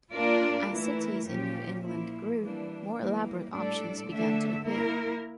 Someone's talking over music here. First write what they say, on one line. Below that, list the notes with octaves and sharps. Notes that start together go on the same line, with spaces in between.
As cities in New England grew, more elaborate options began to appear.
A#3 D4 F4 A#4 D5
E3 A3 E4 A#4
A#2 F3 C#4 G4
A#2 F3 A#3 E4
E3 G3 A#3 D4
E3 G3 A#3
A2 G3 D4 A4 D5
D3 A3 D4 A4 E5
A#3 E4 A#4